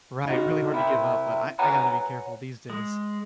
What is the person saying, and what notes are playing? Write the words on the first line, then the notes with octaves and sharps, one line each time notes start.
Right, really hard to give up, but I I gotta be careful these days,
D#4 F#4
C3 E4
B4 C#5 F#5 G#5 A#5
G#3